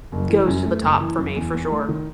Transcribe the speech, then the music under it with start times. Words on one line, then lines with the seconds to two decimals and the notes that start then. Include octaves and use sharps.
goes to the top for me, for sure.
0.12 F#1
0.29 E3
0.48 F#2
0.65 A3
0.82 F#1
1.00 E3
1.18 F#2
1.35 E2
1.53 E2
1.71 A3
1.89 D#3